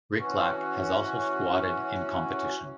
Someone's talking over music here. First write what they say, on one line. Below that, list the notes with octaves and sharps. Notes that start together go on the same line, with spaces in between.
Rychlak has also squatted in competition.
E3 C#4 F#4